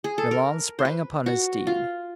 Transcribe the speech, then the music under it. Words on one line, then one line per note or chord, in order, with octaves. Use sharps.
Milon sprang upon his steed.
G#4
A4
A#4
C5
B4
F#4
F4